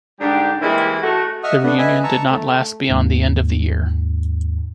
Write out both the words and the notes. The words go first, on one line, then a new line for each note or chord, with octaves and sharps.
The reunion did not last beyond the end of the year.
G#2 D3 G3 D4 G4
E3 G3 G#3 A#3 C4 E4
A3 F#4
D#5 E5 F#5 C#6 D#6 F6
A3 B3 D4 F#5
B4 D#5 E5 G#5
A5 A#5 C#6 E6
A3
D#2 G#2